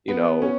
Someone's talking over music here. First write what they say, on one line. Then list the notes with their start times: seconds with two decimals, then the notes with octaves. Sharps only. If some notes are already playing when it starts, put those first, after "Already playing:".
you know
0.08 B3
0.42 C#4